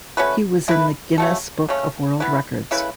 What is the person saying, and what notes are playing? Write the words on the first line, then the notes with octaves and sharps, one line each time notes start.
He was in the Guinness book of World Records.
A3 C#4 F#4 B4
A3 E4 B4
C#3 A3 F#4 A4
C#3 A3 C#4
E3 B3 E4 B4
C#3 A3 E4 B4